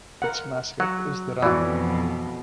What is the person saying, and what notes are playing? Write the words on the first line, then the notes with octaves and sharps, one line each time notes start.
Its mascot is the ram.
A#4 F#5
F#3 F#5
F2 B2 E3 F#4 D5